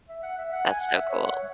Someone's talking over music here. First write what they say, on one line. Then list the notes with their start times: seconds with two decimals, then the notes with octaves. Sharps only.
That's so cool.
0.09 E5
0.23 F#5
0.38 E5
0.53 F#5
0.67 G#5
0.81 F#5
0.95 E5
1.10 C#5
1.19 E5
1.24 F#5
1.35 C#5